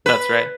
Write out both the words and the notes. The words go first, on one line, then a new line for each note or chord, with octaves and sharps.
That's right.
B4